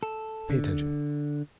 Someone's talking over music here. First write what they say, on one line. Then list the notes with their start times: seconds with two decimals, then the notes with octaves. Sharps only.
Pay attention!
0.03 A4
0.50 D3